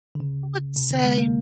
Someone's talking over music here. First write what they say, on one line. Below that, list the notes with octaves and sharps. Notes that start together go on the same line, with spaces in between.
I would say,
D3
C#3
C3
D3
G#3
A#3